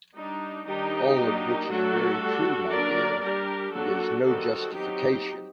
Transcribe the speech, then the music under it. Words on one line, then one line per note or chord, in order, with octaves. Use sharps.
All of which is very true, my dear, but is no justification.
G3 D4 D#4
D#3 G3 D4 D#4 G4
F#3 A#3 D4
F#3 A3 D4 F#4 A4
G3 D4
F#3 A#3 D4 A#4 D5
G3 D4 G4 A#4
F#3 A#3 D4 F#4 A4
D#3 G3 C4 F#4 A4
F#3 C4 D#4 G4